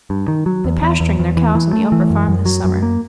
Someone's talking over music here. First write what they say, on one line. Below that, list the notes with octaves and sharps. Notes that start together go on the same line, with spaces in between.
They're pasturing their cows on the upper farm this summer.
G2
D#3
F#3
E2
E2
E2
E2
E3
E3
A3
E3
F#2
F#2
F#3
F#2
A#3